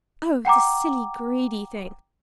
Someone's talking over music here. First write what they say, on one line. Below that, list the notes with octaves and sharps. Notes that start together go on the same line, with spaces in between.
Oh, the silly, greedy thing!
F#5 G5 A#5 D6